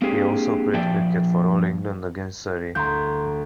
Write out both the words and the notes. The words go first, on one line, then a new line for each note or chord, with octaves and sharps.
He also played cricket, for All England against Surrey.
A#3 C4 D4 G4 G#4
A#2 F3 D5 E5 G5 A5
D2 A#5 C6 G6